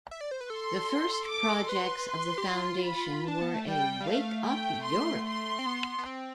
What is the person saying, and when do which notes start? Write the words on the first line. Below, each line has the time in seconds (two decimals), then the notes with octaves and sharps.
The first projects of the foundation were a Wake Up Europe!
0.11 E5
0.21 D5
0.31 C5
0.41 B4
0.50 A4 C6
1.29 D6
1.69 B4 C6
2.08 C6
2.38 G4
2.49 F4
2.88 B5
3.28 D4 A5
3.41 B3
3.54 A3
3.68 G3 G5
4.00 G3
4.07 A3 F5
4.48 G5
4.86 C6
5.27 C6
5.59 C4
5.66 B3
5.98 B3
6.06 C4